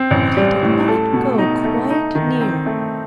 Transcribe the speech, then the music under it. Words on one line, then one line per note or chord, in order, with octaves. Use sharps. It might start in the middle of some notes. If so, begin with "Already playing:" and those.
But he did not go quite near.
Already playing: C4
A1
G3
A2
A4
B2
D#4
A3
D#4
D#3
C4
A3